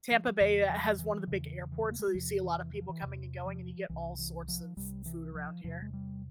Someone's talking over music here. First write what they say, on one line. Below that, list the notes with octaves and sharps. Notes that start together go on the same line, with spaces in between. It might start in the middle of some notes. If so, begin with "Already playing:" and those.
Tampa Bay has one of the big airports. So you see a lot of people coming and going and you get all sorts of food around here.
F3
E2 C#3 E3
F3
E3
E2 C#3 E3
E3
A#3
G#3
G3
E2 C3 F3
E3
E3
F3
E3
E2 C3
F3
C2 C3 E3
E3
F3
C2 C3 G3
E3
F3
E2 C3 F3
G#3
G3